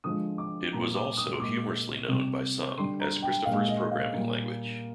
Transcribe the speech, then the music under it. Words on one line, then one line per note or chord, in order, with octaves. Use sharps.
It was also humorously known, by some, as Christopher's Programming Language.
D3 F3 G#3 D#6
D6
A#2 G3 A#5
D6
D#6
C6
A#2 G#3 D6
C3 G3
D3 G3 C6
A#5
G5
A#2 G#3 F5
D#5
F5
A#2 G3